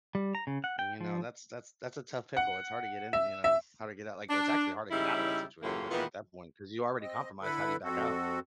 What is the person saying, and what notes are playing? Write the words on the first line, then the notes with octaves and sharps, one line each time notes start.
You know, that's that's that's a tough pickle. It's hard to get in, you know, hard to get out. Like, it's actually hard to get out of that situation then at that point 'cause you already compromised. How do you back out?
G3
A#5
C#3
F#5
G5
F3
F#5
E5
E5
D4
C#3 G3 D#4 E4
F#2 A2 C#3 E3 A#3 F4
A#2 D#3 E3 G#3 B3
C4 D#5
D3 E4 A4 B4 B5
F2 C4 F#4 A4